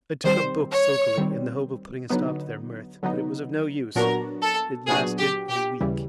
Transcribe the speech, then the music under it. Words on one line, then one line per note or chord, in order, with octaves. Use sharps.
I took a book sulkily, in the hope of putting a stop to their mirth, but it was of no use: it lasted a week.
D#3 G3 C4 C5
C#5
D#3 G3 C4
D3 F#3 B3 D#4
D3 F#3 B3 D#4
A#2 F#3 B3 D4 F#4 A#4
A4
A#2 F#3 B3 D4 F#4 G#4
G4
G4
D#2 C#3 E3 G3